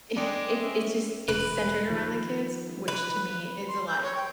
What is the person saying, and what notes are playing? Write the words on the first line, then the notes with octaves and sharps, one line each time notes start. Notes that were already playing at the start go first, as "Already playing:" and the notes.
i it's it's just it's centered around the kids, which to me is a lot
G#3 D4 G5 D6
C#4 E5
E1 B4
D#3 F3
B4
C6
G6
C#5
G5